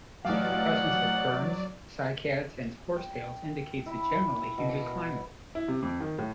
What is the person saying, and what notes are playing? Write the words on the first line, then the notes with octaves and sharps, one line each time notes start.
The presence of ferns, cycads, and horsetails indicates a generally humid climate.
A1 F#3 D5 F5 F#5
G5
E4
B2
E4
C3
F2
D#3
A2